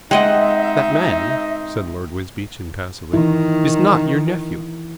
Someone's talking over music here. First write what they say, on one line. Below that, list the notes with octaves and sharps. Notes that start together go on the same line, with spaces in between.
"That man," said Lord Wisbeach impassively, "is not your nephew."
G#3 C4 D#4 D#5 E5 F#5 G5
D#3 E3 E4